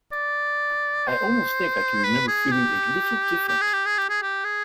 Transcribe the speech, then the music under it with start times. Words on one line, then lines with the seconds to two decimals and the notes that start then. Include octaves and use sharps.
I almost think I can remember feeling a little different.
0.12 D5
1.08 C5
2.04 B4
2.28 G#4
2.51 G4
3.48 G4
3.61 G#4
3.73 G4
3.86 G#4
3.98 G4
4.10 G#4
4.22 G4
4.44 G#4